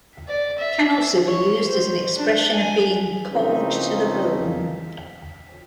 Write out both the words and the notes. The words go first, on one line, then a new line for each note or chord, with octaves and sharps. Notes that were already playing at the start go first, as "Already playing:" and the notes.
Can also be used as an expression of being "cold to the bone".
D5
E5
C#5
C5
D4
G#5
C#3 E3 F3 A#3 C4 D#4